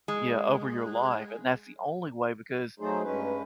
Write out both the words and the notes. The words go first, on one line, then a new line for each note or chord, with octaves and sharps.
yeah, over your life, and that's the only way because,
G#3
F#3 A3 D#4 G#4 C5
G2 G#3 C#4 B4